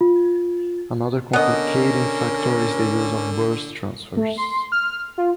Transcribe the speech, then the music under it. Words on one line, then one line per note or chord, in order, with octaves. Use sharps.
Another complicating factor is the use of burst transfers.
F4
D3 B3 C#4 A#4 D#5
A3
C6
F6
F4